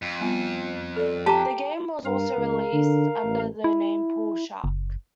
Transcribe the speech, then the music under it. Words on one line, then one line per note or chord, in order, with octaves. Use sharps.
The game was also released under the name "Pool Shark".
F2
G3 B3 F4
A4 D5
G4 G5 A5 A#5 D6
G2 A#4 F5 A#5
C#2
D3
A1
E4
F#1